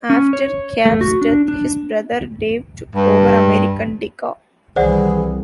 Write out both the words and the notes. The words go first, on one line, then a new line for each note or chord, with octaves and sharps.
After Kapp's death, his brother Dave took over American Decca.
C#4
C#5
A3
F#4
D4
D4
G2
C2 D#3 E3 G#4 C5 D5 F#5